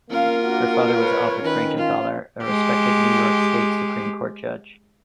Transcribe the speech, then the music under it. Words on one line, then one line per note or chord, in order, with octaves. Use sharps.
Her father was Alfred Frankenthaler, a respected New York State Supreme Court judge.
A#3 C#4 F4 A#4 F5
D4 F#4
B4 C#5
D#3 C#4 B4
F4
G#3 G4